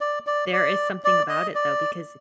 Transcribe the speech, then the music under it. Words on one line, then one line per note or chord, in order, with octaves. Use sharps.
there is something about it, though, because
D5
D5
D5
D5
D#5
D5